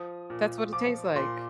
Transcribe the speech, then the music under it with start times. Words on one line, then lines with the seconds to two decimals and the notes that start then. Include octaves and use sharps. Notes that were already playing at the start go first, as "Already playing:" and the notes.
That's what it tastes like.
Already playing: F3 D#6
0.30 A#2
0.73 F3 D6
1.16 A#2 C6